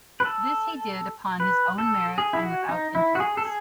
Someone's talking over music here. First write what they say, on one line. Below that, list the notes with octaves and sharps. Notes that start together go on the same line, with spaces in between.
This he did upon his own merit and without influence.
B4
A4
B4
A4
G#4
E4
F#4
D#4
E4
F#4
G#4
A4
G#4